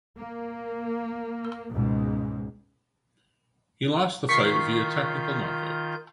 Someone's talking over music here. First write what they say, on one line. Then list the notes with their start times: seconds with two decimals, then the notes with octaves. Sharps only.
He lost the fight via technical knockout.
0.17 A#3
1.71 C#2 G#2 B2
4.29 D#3 F4 C#6 G6 B6 C7